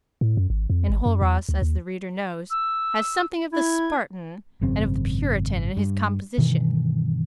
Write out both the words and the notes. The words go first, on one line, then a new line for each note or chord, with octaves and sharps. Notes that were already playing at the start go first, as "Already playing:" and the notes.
Enjolras, as the reader knows, had something of the Spartan and of the Puritan in his composition.
A2
F#2
G#1
F2
G#1
F#2
E2
D2
D#2
E6
E4 G#6
G#1 F#2 C#3 C4
G2
G2 B2 D#3 E3